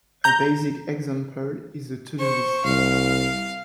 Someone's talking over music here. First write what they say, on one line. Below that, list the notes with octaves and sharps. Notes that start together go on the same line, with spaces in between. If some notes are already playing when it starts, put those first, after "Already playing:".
A basic example is the to do list.
A#5 G6
C5 C#6
C2 F5